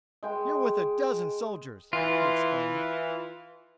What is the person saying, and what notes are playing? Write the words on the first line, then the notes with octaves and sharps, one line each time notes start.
"You're worth a dozen soldiers!" he exclaimed.
G#3 G5 B5
E3 F4